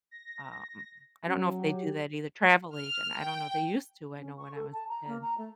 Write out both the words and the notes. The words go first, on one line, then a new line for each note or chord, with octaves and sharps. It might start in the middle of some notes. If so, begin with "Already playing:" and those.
um I don't know if they do that either travel agent, I don't know. They used to, I know, when I was a kid.
A#6
F#3 C#4
G4
F6
G5
C#4
C#6
A4
A5
A#5
A#3
A#5
A3